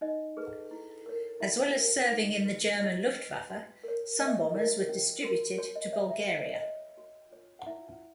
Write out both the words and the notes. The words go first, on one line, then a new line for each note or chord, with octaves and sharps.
As well as serving in the German "Luftwaffe", some bombers were distributed to Bulgaria.
D#4 D#5
G#4 B4
E4
A#4 C#5
E4 E5
A#4 C#5
D#4
F#4 B4
E4 D#5
B4
F#4
A#4 C#5
C#4 D#5
E5
D#5
E4 A#4 C#5
C#4
F#4 A#4
F#4 C#5
D#5
C#5 E5
E5
F#4 E5
D#5
C#5
D#5
C#5
F#4
C#5
F#5
E4 E5